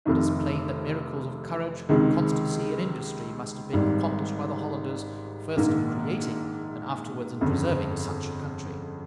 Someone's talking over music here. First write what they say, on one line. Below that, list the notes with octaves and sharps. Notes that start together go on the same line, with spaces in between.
It is plain that miracles of courage, constancy, and industry must have been accomplished by the Hollanders, first in creating and afterwards in preserving such a country.
F1 F2 C3 D#3
C#2 C3 D#3 G#3
G#1 G#2 G3
A#1 G#2 D#3 A#3
G1 F2 C#3